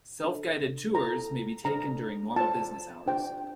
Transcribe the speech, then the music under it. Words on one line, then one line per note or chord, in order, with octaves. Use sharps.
Self-guided tours may be taken during normal business hours.
D4 A4 C5
E4 A4 C5 A#5
D4 A4 C5 A#5
F4 C5 A5
D4 F4 C5 G5